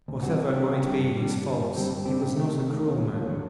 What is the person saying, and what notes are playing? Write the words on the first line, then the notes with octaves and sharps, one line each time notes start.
Whatever might be his faults he was not a cruel man.
D2
D3 G3 C4 F#4
C3
G3 D4 G4
C3
G3 D4 G4
G2
D3 G3 D4
G2
D3 G3 D4
G2
D3 G3 C4 G4
G2
D3 G3 C4 G4
C3
D#3 A3
C3
D#3 A3
D#2
D3 F#3
D#2
D3 F#3